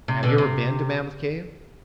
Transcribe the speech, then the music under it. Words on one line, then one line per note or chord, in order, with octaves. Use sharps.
"Have you ever been to Mammoth Cave?"
C3
B2 D3
C3